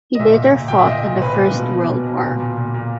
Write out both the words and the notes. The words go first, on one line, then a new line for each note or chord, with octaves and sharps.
He later fought in the First World War.
D#5
A#2 E5
A#2
A#2
A#2 G5
E5
A#2 D#5
A#2
A#2 B4
A#2
B2
B2
B2
B2
A#2
A#2
A#2
A#2